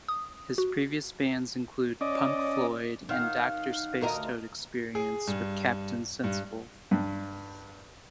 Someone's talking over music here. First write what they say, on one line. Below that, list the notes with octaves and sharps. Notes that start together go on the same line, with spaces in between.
His previous bands include Punk Floyd and Doctor Spacetoad Experience, with Captain Sensible.
D#6
F#4
C#4 D5 D#5
D#3 F5 F#5
D2 A#4 D#5
G#4
G2
G2
G2